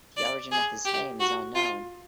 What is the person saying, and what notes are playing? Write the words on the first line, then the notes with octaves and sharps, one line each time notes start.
The origin of his name is unknown.
D5
G#4
G4
F#4
F4